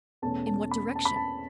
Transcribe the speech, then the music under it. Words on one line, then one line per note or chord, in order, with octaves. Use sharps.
In what direction?
E2 B2 A3 C#4 A5
A5
B5
A5
B5
A5